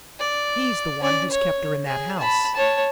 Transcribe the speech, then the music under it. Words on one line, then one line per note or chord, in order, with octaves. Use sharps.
He's the one who's kept her in that house.
D5
C#4 D5
C#5
G#4
A5 B5
C#5 A5